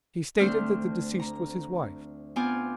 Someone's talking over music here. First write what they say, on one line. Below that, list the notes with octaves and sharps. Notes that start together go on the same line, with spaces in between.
He stated that the deceased was his wife.
D2 A3 C4 D4 F6
A#5
B3 C4 F4 G#5 D6 F6